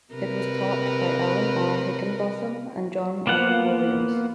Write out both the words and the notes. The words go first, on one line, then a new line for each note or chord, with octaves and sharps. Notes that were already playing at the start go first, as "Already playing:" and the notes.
It was taught by Alan R. Hickinbotham and John L. Williams.
C3 A#4 B4
A#3 B3 F4 F#5